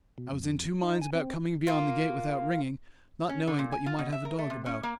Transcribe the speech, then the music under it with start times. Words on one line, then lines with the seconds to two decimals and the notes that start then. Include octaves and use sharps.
I was in two minds about coming beyond the gate without ringing: not knowing but you might have a dog about.'
0.18 B2
0.32 F2
0.83 D#4
1.01 G#5
1.15 C4
1.67 A#3 F4
3.29 C#4
3.47 D3
3.59 A#2
3.72 G#5
3.86 F4
3.99 B2
4.12 E5
4.25 A#4
4.39 A3
4.50 C3
4.66 C#4
4.83 A#3